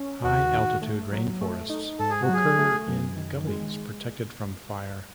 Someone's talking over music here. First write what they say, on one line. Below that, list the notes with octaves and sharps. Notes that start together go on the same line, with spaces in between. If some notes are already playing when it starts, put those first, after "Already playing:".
High altitude rainforests occur in gullies protected from fire.
Already playing: C#4
D#2 F#4
D#3
A3
F#3
A3
D#4
G#2 A4
G#4
F#4
F#3 G#4
A3
F#2
D#3
G#3